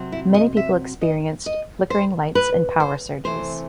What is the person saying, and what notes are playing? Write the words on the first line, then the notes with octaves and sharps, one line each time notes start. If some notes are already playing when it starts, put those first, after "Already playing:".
Many people experienced flickering lights and power surges.
Already playing: C3 F#3 C4
E4
D#5
E5
D#5
D#5
C5
B4
C5
C3 E3 A3 C4 C5